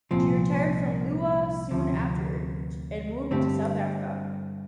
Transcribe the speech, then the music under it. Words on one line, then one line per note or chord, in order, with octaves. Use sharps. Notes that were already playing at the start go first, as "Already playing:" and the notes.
She retired from Lewa soon after and moved to South Africa.
C2 A#2 F3 C4
D2 C3 F3
G2 D3 A3 C4 G4